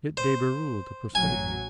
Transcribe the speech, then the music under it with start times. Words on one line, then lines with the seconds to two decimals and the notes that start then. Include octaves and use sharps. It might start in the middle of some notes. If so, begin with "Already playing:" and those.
Get de Berulle to persuade him.
0.17 C5
1.15 A1 F#3 G#5